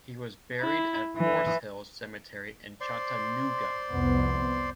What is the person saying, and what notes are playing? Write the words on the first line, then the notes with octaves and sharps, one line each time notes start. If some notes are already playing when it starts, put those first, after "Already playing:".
He was buried at Forest Hills Cemetery in Chattanooga.
E4
E3
C5 D5 C6
C2 F2 B3